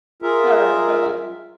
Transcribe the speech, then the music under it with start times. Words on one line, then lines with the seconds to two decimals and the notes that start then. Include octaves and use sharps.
Alright. Bye-bye.
0.22 F4 G#4 A#4 E5